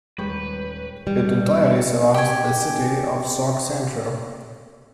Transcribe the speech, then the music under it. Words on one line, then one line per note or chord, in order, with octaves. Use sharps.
It entirely surrounds the city of Sauk Centre.
D#1 G3 G#3 B4 C#6 G6
G3
G4 G#5